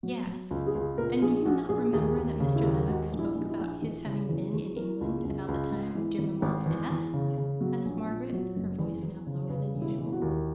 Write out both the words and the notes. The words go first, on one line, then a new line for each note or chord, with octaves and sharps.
'Yes--and do you not remember that Mr. Lennox spoke about his having been in England about the time of dear mamma's death?' asked Margaret, her voice now lower than usual.
F#3 F#4
F#3
C#2
G#4
C#2
A#2 A#4
A#1 G#4
A#1 F#4
A#1 G#4
D#2 G#4
D#2
C#3
E4
D#2
G#2 F#4
A#1
E4
A#1
D#4
E4
A#1
E2 D#4
C#3 E4
E2 E4
E2 G#4
E3 A#4
C#2
C#2
C#2
G#2
E3
G#1
G#1
E2
E2
C#3
C#3
F#3
A#1
A#2
F#3
F#1
E2
E2
C#3
C#3 B4
E1
E4
E3
F#4
D#2